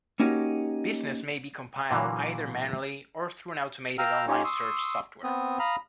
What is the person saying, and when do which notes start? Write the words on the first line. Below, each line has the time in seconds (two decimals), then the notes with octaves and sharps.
Business may be compiled either manually or through an automated online search software.
0.20 A#3 C#4 D#4 F#4 G4
1.91 A#2 D3 E3 F#3 A#3
3.98 F5 G5 A#5 E6 F6
4.28 C#4 D#4 F4 G4 C#5
4.44 C6 C#6 D#6 E6
5.24 B3 C4 D#6
5.59 F5 A#5 B5 D#6